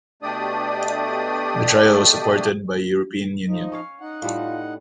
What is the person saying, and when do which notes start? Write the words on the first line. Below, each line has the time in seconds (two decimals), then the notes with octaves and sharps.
The trial was supported by European Union.
0.22 B2 A3 D4 G4 D5 D#6
3.48 F3 D#4
3.72 C#4 C#5 F5
4.01 D#4 F#5
4.22 A2 G3 A3 F4